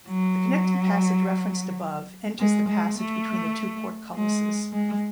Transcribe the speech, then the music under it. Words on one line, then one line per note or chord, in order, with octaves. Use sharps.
The connecting passage referenced above enters the passage between the two portcullises.
F#3
G#3
G#3
A3
G#3
G#3